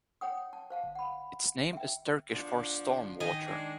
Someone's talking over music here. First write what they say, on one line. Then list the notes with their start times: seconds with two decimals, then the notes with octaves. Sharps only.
Its name is Turkish for "storm water".
0.21 C#5 F#5 G5 D#6
0.53 A5
0.70 C5 F5 A5
0.95 F#5 B5
1.73 E5 G5
2.32 F3 B3 D4
3.20 D#3 D#5 G#5
3.46 G#3 D4